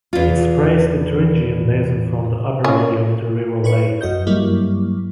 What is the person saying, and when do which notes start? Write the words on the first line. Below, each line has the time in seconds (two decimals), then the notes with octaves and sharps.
It separates the Thuringian Basin from the upper valley of the river Leine.
0.13 E2 F4
2.64 C#4
3.64 E4 B4 C#5 C#7
4.01 F#2 F#4 D#5 G6
4.27 G2 F#3 G3 A#3 E4